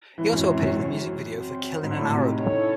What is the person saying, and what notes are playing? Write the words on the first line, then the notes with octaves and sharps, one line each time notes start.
He also appeared in the music video for "Killing an Arab".
D#3 E3 G#3 C4 F#4 C#5
F#2
F#2
F#2
F#2
C4 F#4 C5
G#2
A2
C3
D#3
D#3 C#4 E4 A4 C#5